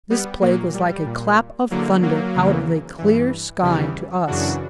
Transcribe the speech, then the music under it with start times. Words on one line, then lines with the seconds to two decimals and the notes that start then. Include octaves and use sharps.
This plague was like a clap of thunder out of a clear sky to us.
0.10 G3 B3
0.42 A#2 F#3 A#3
0.74 G3
1.06 A#2
1.70 E2 D3 F#3 A#3
2.02 F#3 A#3
2.35 E2 C#3 E3
2.98 G2 E3
3.62 E2 C#3 E3 G3
4.27 F#2 C#3 E3 D4 F#4